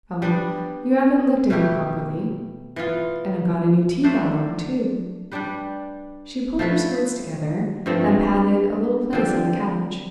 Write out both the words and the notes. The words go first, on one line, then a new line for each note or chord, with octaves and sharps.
"Oh, you haven't looked at me properly, and I've got a new tea-gown on, too." She pulled her skirts together and patted a little place on the couch.
G3 B3 D4
B2 A3 E4 G4
E3 B3 F4
A3 D4 A4 C5
G3 D4 G4 B4
F3 A3 E4 B4
G2 F3 A3 C4
D3 F3 C4 G4